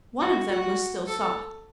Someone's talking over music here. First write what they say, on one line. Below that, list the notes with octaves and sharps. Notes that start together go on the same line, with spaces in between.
One of them was still soft.
F#4
F#4
A4